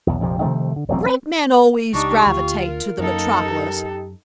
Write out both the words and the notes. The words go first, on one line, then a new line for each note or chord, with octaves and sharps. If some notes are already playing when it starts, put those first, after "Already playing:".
Great men always gravitate to the metropolis.
B1 E2
A#1 F2 C3 F3
C3 D#3 F3 A3
D3
E1 A1 F#3 C4
C4
C#2 D4 D#4 G4 C#6
D2 F4
A#4
F#2 A#3 D#4 A4
G4